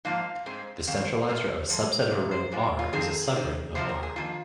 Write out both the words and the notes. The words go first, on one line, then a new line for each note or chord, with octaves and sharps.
The centralizer of a subset of a ring "R" is a subring of "R".
G#2 F3 A#3 F4 F5
G#2 G#3 C4
F2 D#3 C4 F5
C5
C3 G#3 F4
G#2 F3 G#3
F2 C3
C5
A#2 G#3 F4
F4
F2 D#3 C4 D#4 G#4
D#3 C4 D#4
C3 F3 C4 F4 C5
A#4
G#4
F2 D#3 A#3 F4